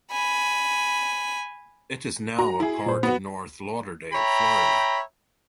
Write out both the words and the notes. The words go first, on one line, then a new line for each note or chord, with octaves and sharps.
It is now a part of North Lauderdale, Florida.
G#5 B5
F#4 A#5
E4 G#4
A#2 C5
B3 F#4
C#5 E5 G5 A#5 B5